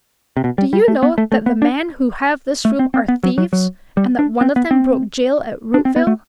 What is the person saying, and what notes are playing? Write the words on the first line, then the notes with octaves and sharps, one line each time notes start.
"Do you know that the men who have this room are thieves, and that one of them broke jail at Rootville?"
C3
B2
G3
G3
A3
B3
A3
A3
B3
D4
A3
C4
C4
B3
F#3
F#3
F#3
G3
D4
C4
B3
C4
D4
C4
B3
A3